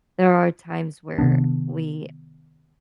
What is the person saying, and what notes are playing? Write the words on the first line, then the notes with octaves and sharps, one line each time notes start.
there are times where we
C3 D#3 B3 D4